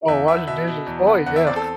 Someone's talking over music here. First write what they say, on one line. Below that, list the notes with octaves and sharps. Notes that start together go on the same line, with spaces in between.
Oh, washing dishes. Oh, yeah.
E2 E5
B3 E5
B2 E5
B2
E2
B3
E2 F#5
E5
C4 D5
A4